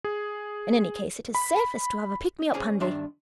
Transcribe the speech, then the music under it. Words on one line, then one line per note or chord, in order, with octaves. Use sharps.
In any case, it is safest to have a pick-me-up handy.'
G#4
B5
C#4 G#4 C5 D5 G#5
G2 D#3 D4 E5 C6